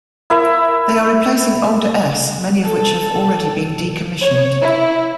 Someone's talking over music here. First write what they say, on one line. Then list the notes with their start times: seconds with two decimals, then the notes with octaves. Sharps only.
They are replacing older s, many of which have already been decommissioned.
0.30 E4 A#4 E5
2.64 A4
4.20 C#5
4.62 E4